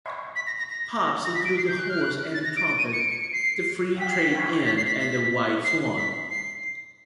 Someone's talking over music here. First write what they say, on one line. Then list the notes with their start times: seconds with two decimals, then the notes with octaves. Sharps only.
Pubs include The Horse and Trumpet, The Free Trade Inn, and The White Swan.
0.36 B6
0.47 A#6
0.58 A#6
0.69 A#6
1.25 A#6
1.35 B6
1.45 D7
1.57 C7
1.68 G6
1.79 F#6
1.90 F6
2.01 F#6
2.34 A6
2.44 A#6
2.57 D7
2.68 D7
2.78 D#7
2.93 C#7
3.00 D7
3.11 C#7
3.22 C#7
3.33 C7
4.00 B6
4.10 C7
4.21 B6
4.66 B6
4.77 C7
4.87 B6
4.99 B6
5.64 C7
5.97 B6
6.30 C7